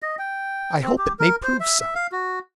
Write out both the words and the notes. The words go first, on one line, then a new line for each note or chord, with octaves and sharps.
'I hope it may prove so.
D#5
G5
C4
G4
A#4
C5
E5
E5
F5
F#4